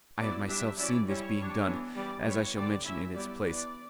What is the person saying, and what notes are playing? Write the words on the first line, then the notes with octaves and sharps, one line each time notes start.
I have myself seen this being done, as I shall mention in its place.
F#3 B3 E4 D5
G3 D4 E5
F#3 C#4 E4 D5
G3 C#4 E4 C#5
G3 D4
E3 B3 D4
E3 G3 B3 D5
G3 B3 E4 C#5
D3 G3 B3 D5
F#3 C#4 E4 E5
G3 B3 E4 D5
E3 B3 D4 D5